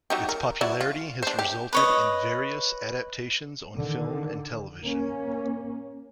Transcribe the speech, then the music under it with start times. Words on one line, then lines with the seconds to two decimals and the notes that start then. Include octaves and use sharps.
Its popularity has resulted in various adaptations on film and television.
0.10 F#3 D#4 G4
0.29 A#4
0.61 F#3 E4 D5
0.81 F4
1.23 D4 C5
1.39 G4
1.73 B4 C#5 D#5
3.77 D3 D#3
4.85 A#3 C#4